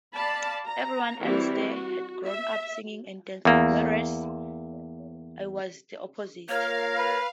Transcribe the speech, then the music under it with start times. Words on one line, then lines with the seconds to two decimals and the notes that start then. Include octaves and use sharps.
Everyone else there had grown up singing and dancing, whereas I was the opposite.
0.15 D5 F5 A5 B5
0.67 A#5
1.22 E3 G3 C4 E4 F#4
1.60 F#4
2.27 E5
3.45 E2 A#3
6.49 A#3 F4 A#4 C#5 F5
6.97 B4